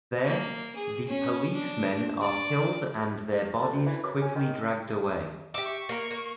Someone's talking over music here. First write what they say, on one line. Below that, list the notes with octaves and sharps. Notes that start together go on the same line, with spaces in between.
There, the policemen are killed and their bodies quickly dragged away.
A#3
G#4
C#4
D4
D5
A4
D2
E3
F#2
C#4
D#3
G4 E5 D6
C#6
A#3 A#4
A#3